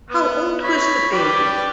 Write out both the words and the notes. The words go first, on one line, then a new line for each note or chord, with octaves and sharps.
How old was the baby?
B3
C#5 B5
G4 B4 D5